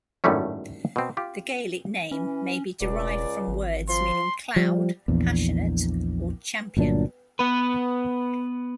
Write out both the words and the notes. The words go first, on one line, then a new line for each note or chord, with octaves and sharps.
The Gaelic name may be derived from words meaning "cloud", "passionate", or "champion".
G#1 F#2 A2 G3 A3 C#4
B2 C4
F4 G4
E3 C#4
E1 C#2 D5
G#1
F3 C6
F3 G3
A#1 E2
G1 A#2 F#3 D4
B3 B4